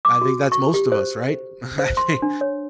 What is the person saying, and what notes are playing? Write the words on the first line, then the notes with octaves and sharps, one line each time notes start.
I think that's most of us, right? I think
D6
F#4
C#6
G4
C5
C5
C6
D4
C#5